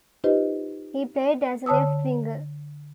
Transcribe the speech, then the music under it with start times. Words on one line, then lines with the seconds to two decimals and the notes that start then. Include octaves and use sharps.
He played as a left winger.
0.24 D#4 F4 G4 B4 C5 D#5
1.66 D3 C#5 A5 D#6 E6